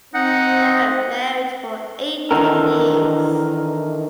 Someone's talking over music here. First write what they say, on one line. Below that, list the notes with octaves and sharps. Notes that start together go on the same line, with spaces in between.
They were married for eighteen years.
C4 D#4 F#5
D#3 E3 D4 D#4 A4 A#4